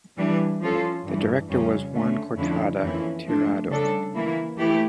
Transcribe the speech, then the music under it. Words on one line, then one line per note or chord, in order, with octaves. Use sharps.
The director was Juan Cortada Tirado.
E3 G3 D4
F3 C#4 F4 A4
G2 E3 G3
F2 C#3 G3 C#4
D3 A3 C#4
F2 D3 F3 C#4 E4
F2 E3 A#3 C#4 E4
F3 A3 D4
C#3 G3 D4 A4
E3 A#3 E4
E3 A3 E4 G4